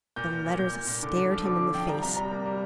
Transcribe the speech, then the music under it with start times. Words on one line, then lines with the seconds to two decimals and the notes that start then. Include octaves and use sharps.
The letters stared him in the face.
0.16 A#2 G6
0.31 A#2
0.46 A#2
0.59 A#2 G6
0.74 A#2
0.88 A#2
1.03 D3 D6
1.17 D3
1.31 F3
1.45 D3 D6
1.60 D3
1.74 F3 G5
1.88 G3 A#5
2.02 C3 A#5
2.17 G3 A#5
2.31 A#3
2.46 G3